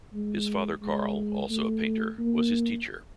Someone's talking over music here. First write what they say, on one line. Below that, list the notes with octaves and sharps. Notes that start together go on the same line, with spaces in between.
His father Karl, also a painter, was his teacher.
G#3
G#3
A3
A#3